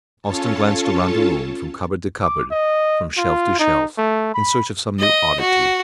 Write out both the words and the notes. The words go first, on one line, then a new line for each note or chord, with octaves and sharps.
Austin glanced around the room from cupboard to cupboard, from shelf to shelf, in search of some new oddity.
C#4 F4 A4 C#5 A5
D6
D#5
F4
D#4
A3
B5
D#5
F#4